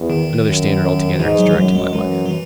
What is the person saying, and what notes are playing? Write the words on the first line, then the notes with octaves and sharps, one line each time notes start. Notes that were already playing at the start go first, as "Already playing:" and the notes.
Another standard altogether has directed my life....
Already playing: E2
D#3
F#2
G#2 E3
F#3
E3
F#2 F#3
G#3
F#2 E3
F#3
E3